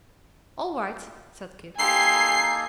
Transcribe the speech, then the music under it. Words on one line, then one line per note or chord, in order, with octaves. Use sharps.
"All right," said Kit.
A#3 D#4 G4 A4 G#5 C6 C7